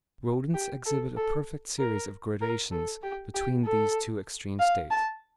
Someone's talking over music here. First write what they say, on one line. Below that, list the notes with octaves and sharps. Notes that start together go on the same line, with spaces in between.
The rodents exhibit a perfect series of gradations between these two extreme states.
G4
A4
A4
A#4
A#4
A4
G4
G4
A4
F5
A5